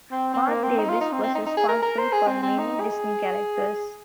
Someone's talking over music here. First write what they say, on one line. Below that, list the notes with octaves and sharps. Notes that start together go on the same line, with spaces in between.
Marc Davis was responsible for many Disney characters.
C4
C4
A#3
C4
D#4
F4
D#4
C4
C4
D#4
D#4
G#4
A#4
A#4
C5
G#4
C4
C4
D#4
G#4